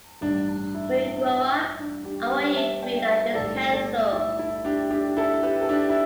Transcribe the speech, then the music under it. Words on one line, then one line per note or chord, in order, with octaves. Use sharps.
When you grow up, I want you to be like this pencil.
A1 G2 G3 D4
D4
E4
D4
D4 G4
G4 B4
E5 A5
D5 G5
B4 E5
B1 A2 G3 A4 D5
A4 D5
E4
E4
D4 G4
D4 G4
E4 A4
G4 B4
A4
D4 G4
E4